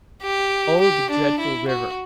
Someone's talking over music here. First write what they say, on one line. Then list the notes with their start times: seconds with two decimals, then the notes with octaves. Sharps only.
Oh, the dreadful river!'
0.23 G4
0.81 G4
1.11 D4
1.40 E4
1.68 F#4